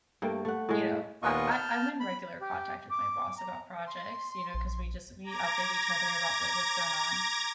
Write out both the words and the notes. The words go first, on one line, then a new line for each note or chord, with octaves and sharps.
you know, uh I I'm in regular contact with my boss about projects, you know, 'cause we just we update each other about, like, what's going on.
G2 A3 A#3 G5
A3 F#5
A2 G#3
D#2 A#2 B3 F4 D#5 C#6
A5 F6 G6
B5
G4
D6
A#5
C6
A#1
A#5 D6 G#6 A#6